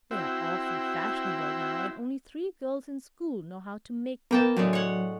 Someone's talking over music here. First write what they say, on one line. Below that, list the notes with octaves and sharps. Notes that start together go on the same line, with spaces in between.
They are awfully fashionable now and only three girls in school know how to make them.
C4 E4 F#4 E5 G5
A#3 B3 G5 A5
A2 D3 F#3 G#3
C#5 F#5